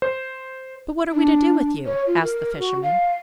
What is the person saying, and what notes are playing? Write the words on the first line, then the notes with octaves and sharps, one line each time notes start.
'But what are we to do with you?' asked the fisherman.
C5
D4
C#5
F4
A#4
F#4
F5